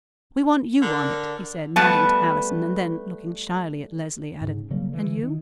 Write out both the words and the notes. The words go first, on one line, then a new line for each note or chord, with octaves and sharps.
"We want you on it," he said, nodding to Allison and then, looking shyly at Leslie, added, "And you?"
D3 A#4 D5
G3 A3 B3 B4 A5
G#2 C#3
C#3 F#3 G3 A#3
D3 E3
D#3